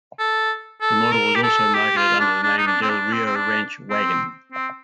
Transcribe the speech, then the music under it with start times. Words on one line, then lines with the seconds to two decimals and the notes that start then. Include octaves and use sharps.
The model was also marketed under the name Del Rio Ranch Wagon.
0.19 A4
0.81 A4
1.12 A#4
1.35 G4
1.43 A4
1.74 G4
1.97 F4
2.20 D4
2.43 D4
2.58 D#4
2.67 D4
2.82 C4
2.90 D4
3.13 C4
3.26 C4
3.36 D4
3.90 C4
4.52 C4